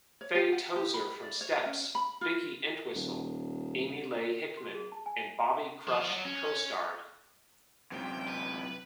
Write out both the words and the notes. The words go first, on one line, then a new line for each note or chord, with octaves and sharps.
Faye Tozer from Steps, Vicky Entwistle, Amy Leigh Hickman and Bobby Crush Co-starred.
C#5
G4
F#5
G4
B5
D5
C#5
C#4
B5
F4
D#1
C6
G#4
A5
G#5
F3
F#3
C#4
F#2 C3 G5
B4